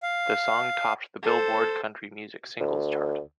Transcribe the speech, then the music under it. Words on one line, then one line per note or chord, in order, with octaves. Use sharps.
The song topped the "Billboard" country music singles chart.
F5
A4 C5
D2